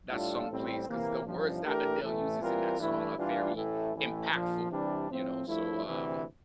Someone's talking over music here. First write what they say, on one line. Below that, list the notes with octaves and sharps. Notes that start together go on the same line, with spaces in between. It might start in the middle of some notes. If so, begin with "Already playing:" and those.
that song plays?" 'Cause the words that Adele uses in that song are very impactful, you know, so, um,
A2 G3 D4 F4 A4
A1 A2 G3 C4
C3 E3 A#3
A1 G2 F3
E3 A3 D4 G4 A#4
A1 A2 E3 A3
E3 G3 C4 F4 A#4
G2 E3 A3 E4
E3 G3 D4 F4
A1 A2 E3 A3
A1 A2 E3 A3
A#1 A#2 F3
C3 E3 G3 D4
A2 F3 C4
G2 F3 A3 E4
D2 C3 E3